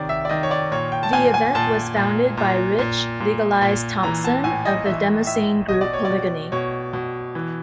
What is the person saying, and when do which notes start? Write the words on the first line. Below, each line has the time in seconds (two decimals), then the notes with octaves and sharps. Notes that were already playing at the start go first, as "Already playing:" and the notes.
The event was founded by Rich "Legalize" Thompson of the demoscene group Polygony.
Already playing: C3 D#3 C#5 D5
0.09 E5
0.25 D5
0.29 D#3 D#5
0.43 C#5
0.51 D5
0.71 A#2 C#5
0.92 G5
1.03 A5
1.13 A#2 G#5
1.34 G#5
1.55 A#2 A5
1.96 A#2
2.37 A#2
2.79 A#2
3.20 A#2
3.62 A#2
4.03 E3 A#5
4.24 A5
4.44 A2 G#5
4.65 D#5
4.86 E3 E5
5.27 A2 E5
5.69 B2 D#5
5.81 D5
5.93 C#5
6.05 D5
6.10 B2
6.52 B2 C#5
6.93 B2
7.35 E3